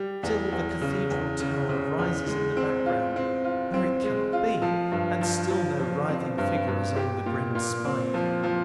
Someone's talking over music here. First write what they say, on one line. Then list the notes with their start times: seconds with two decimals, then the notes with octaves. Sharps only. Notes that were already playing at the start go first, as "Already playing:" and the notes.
Still the Cathedral Tower rises in the background, where it cannot be, and still no writhing figure is on the grim spike.
Already playing: G3
0.23 E2
0.52 E2
0.81 C#3
1.10 E2
1.40 C#3
1.69 C#3
1.98 E2
2.28 G#3
2.57 C4
2.86 F4
3.16 C4
3.44 F4
3.74 C4
4.04 G#3
4.33 F4
4.62 F3
4.92 G2
5.21 F3
5.50 F3
5.79 F3
6.09 C4
6.38 G2
6.68 G2
6.96 G4
7.26 A#2
7.55 A#2
7.85 C4
8.14 F3
8.43 F3